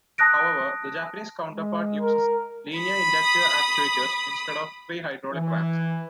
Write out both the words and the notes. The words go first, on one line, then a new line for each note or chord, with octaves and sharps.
However, the Japanese counterpart uses linear-inductive actuators instead of three hydraulic rams.
A5 D#6 F#6 A#6 D7
G#3
A#4
B5 D#6
E3